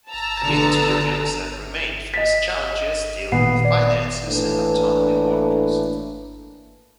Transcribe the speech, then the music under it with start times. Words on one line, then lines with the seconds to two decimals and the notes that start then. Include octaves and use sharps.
Community unions that remained faced challenges dealing with finances and autonomy workers.
0.11 A5 A#5 E6
0.44 D3 B3
2.14 D#5 A6 B6
3.32 A#2 D#3 B3 C7
3.65 D5
4.27 A2 E3 A3 A#3 D4 B4